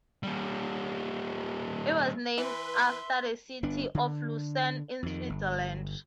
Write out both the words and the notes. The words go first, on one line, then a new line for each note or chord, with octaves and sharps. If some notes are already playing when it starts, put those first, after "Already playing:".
It was named after the city of Lucerne, in Switzerland.
G3 A#3
E3 B4 E5 C6
G1 B3 D4
D3
F2 D#3
G1